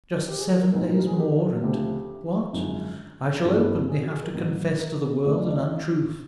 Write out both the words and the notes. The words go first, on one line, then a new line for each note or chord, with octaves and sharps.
Just seven days more and what!--I shall openly have to confess to the world an untruth!
A#4
G4
G#4
A4
A#4
B1 A2 F3 G#3 B3 A#4
C5
A#4
G#4
F#4
G4
F#4
D2 C#3 F3 A3 C4 G4
G#1 F#2 D3 F3 G#3
G#1 G2 E3 G3 C4 A4
A4
G#4
F#4
G#4
A#4
A1 A2 F#3
A#4
D2 C#3 F3 A3 C4 C5
D5
D5
D#5